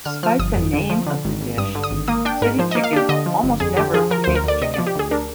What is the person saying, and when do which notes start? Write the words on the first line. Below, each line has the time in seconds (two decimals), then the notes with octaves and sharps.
Despite the name of the dish, city chicken almost never contains chicken.
0.05 D3 F6
0.23 F3 F6
0.39 G1 D#6
0.56 F2
0.73 D3
0.90 F3
1.07 D3
1.25 G#1
1.41 G#1
1.57 G2 D#6
1.75 D3
1.84 D#6
1.91 G#1
2.08 A#3 D#6
2.25 D4 G5
2.42 G#2 A#4
2.59 F3 C5
2.71 A#3 D#5
2.84 F5
2.93 D4 G4
3.09 D3 D#5
3.26 F3
3.43 G1
3.60 F2 G#4
3.77 D3 G4
3.94 F3 G#4
4.11 F3 A#4
4.24 D2 C5
4.35 A#4
4.44 D2 D5
4.61 C3 D#5
4.74 F3 D5
4.87 G4
4.96 D2 G#4
5.11 D4 A#4